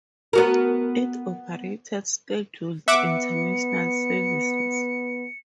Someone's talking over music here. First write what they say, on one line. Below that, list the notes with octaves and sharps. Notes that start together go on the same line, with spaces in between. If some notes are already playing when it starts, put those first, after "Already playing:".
It operated scheduled international services.
B3 F#4 A#4
B3 E5 F#5 D6 C#7